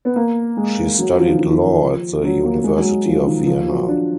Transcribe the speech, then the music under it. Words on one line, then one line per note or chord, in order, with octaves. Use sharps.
She studied law at the University of Vienna.
B3
A#3
G#3
F#3
F3
D#3
F3
F#3
A#3
G#3
F#3
G#3
F3
D#3
F3
F#3
D4